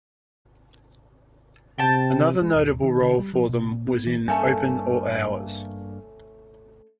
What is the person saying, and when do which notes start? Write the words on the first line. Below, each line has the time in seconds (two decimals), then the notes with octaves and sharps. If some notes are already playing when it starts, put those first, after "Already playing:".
Another notable role for them was in "Open All Hours".
1.78 C3 G5 A5
2.42 G#3
2.54 D#1
2.83 D#3
3.01 D3
3.19 G3
3.34 F3
3.49 B2
3.71 A#2
3.88 B3
4.07 E3
4.28 G2 A3 A#3 C#4 G#5 A5 G6